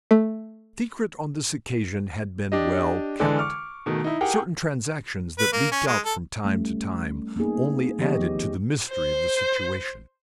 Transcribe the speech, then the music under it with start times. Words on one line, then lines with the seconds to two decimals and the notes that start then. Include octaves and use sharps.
The secret on this occasion had been well kept. Certain transactions that leaked out from time to time only added to the mystery of the situation.
0.11 A3
2.52 D4 G4 D#5
3.19 D3 E3 G#3 A4 D5
3.39 C#6 D6 F6
3.86 B2 D#3 A3
4.04 D#4 E4
4.21 G4 G#4 A#4 F#5 G5
5.38 B4
5.53 A#3
5.71 C#4
5.87 G#3
6.05 A4
6.45 G3 A3 C#4
7.36 A#3 B3 D#4 G#4
7.99 D#3 F3 B3 G4 C#5 D#5
8.90 C5